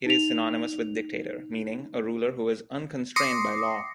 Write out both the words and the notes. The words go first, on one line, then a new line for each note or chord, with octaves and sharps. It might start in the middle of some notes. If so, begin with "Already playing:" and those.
It is synonymous with 'dictator,' meaning 'A ruler who is unconstrained by law.
D#4 F7
C6 D6 D#6 A#6 C7 C#7